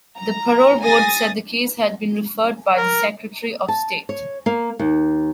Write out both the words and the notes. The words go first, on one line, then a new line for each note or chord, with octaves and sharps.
The Parole Board said the case had been referred by the secretary of state.
A#5
G#4 G#5 D#6 A6 A#6
A#4
A5
C#5
A#3
D#2